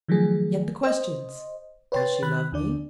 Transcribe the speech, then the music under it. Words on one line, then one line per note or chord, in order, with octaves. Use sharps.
Yet the questions--Does she love me?
D#3 F3 F#3 A3 G#4
C5 D#5
B4 C#5 G5 C6 A6
D#3 B5 F#6
D#2 D3 D4 D5